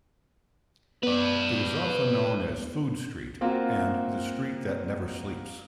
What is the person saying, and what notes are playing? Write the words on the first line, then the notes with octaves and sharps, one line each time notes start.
It is often known as "Food Street" and "The Street that Never Sleeps".
B3 B4 D5
A#3 C4 F4 F#4